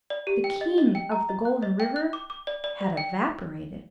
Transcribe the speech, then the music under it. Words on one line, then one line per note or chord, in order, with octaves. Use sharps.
The King of the Golden River had evaporated.
D5
G4
G5
D#5
D#5
G5
A#5
D#5
F#6
D#5
G5
F#6
D6
D6
D5
D5
D5
G5